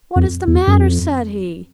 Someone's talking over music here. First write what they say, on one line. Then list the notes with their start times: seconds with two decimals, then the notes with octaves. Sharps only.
"What is the matter?" said he.
0.16 F2
0.47 E2
0.67 F#2
0.80 F2